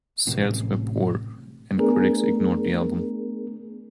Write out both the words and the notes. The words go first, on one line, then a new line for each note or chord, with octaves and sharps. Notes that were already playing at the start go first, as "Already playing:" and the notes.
Sales were poor, and critics ignored the album.
A1 A2 C3
A3 B3 D4 G#4 A#4